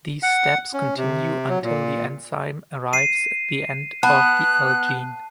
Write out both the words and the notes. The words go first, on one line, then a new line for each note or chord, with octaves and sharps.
These steps continue until the enzyme arrives the end of the L gene.
F#5
C#4
C3
F#3
A#2
C7 D#7
B3 A5 F#6